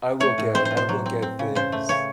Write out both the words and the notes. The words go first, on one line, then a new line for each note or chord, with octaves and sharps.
I look at I look at things
A3 C#5
A2
C4 C5
C5
A2
C5
F#3
C4
C4
C#3
C#3 C5
A3
C#3 C#5